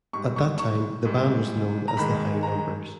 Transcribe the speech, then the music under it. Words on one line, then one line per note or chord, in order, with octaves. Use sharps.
At that time the band was known as the High Numbers.
G#2 G3 C#6
C#6
C#6
G#2 G3
A#5
G#2 D#3 G#3 B5
A#5